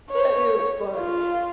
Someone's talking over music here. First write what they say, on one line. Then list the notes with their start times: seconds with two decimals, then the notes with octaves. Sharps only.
That is funny.
0.11 C#5
0.97 F4